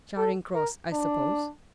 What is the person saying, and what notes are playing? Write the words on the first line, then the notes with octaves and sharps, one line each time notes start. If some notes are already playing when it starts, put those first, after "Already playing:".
"Charing Cross, I suppose!"
A4
A#4
D4